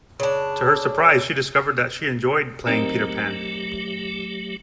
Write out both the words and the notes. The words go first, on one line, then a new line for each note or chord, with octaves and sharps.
To her surprise, she discovered that she enjoyed playing Peter Pan.
C#3 D4
F#3 A3 C4 D#4 G4 A#4